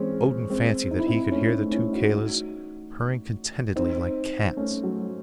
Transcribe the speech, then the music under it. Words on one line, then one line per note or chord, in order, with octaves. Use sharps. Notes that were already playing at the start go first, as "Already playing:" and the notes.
Odin fancied that he could hear the two Kalis purring contentedly like cats.
Already playing: E3 G#3 C4 C#4
G#3 C4
D#4
E4
C4 D#4
A3 C#4
C#4 E4
D#4 F#4
C4 D#4
A3 C#4
F#3 A3